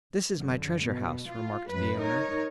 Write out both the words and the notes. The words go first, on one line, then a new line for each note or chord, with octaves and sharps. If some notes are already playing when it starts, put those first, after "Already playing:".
"This is my treasure house," remarked the owner.
F#2 D3
B2
F4
F#2 B4
D#4 A#4 C#5